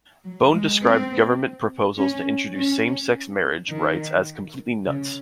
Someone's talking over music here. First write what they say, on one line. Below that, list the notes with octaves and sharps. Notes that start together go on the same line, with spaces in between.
Bone described government proposals to introduce same-sex marriage rights as "completely nuts".
F#3
G#3
C4
C#4
C#4
D#3
C#3